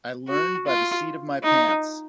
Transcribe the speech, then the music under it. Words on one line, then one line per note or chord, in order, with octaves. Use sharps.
I learned by the seat of my pants.
F#4
F4
D#4